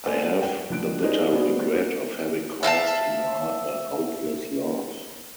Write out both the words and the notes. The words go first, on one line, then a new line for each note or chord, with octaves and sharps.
I have the bitter regret of having caused in her a hopeless love.
A4 C5 D5 G#5
F#5 G5
F3 D4 F#6 D7
D#4 G4 G#4 A#4 C5 D5
B3 G#4 C5 D5
E5 F5 G5 A5